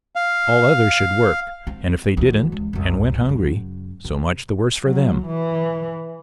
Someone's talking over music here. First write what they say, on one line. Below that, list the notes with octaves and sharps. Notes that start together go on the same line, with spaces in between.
All others should work, and if they didn't, and went hungry, so much the worse for them.
F5
C4
D2 E3
C#2
C2 F2
F#2 C#3
C3
F#3
E3